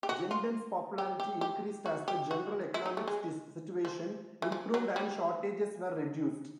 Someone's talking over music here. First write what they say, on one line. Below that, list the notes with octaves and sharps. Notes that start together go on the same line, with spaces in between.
Genden's popularity increased as the general economic situation improved and shortages were reduced.
G4
F#4
F4
G4
G4
G4
F#4
G4
F#4
E4
D#4
A3
G#3
F3
E3
F3
F#3
G3